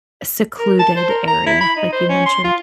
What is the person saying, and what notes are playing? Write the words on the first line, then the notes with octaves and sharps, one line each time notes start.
secluded area like you mentioned.
A#4
A5
C5
A#4
A#5
E4
B5
D#4
C5
C#4
C6
F4